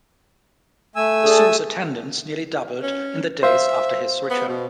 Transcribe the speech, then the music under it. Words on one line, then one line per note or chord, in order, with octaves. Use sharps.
The zoo's attendance nearly doubled in the days after his return.
A3 G#5 E6
D4 G#4 A4
C#4
C5 E5 F5
B3
B2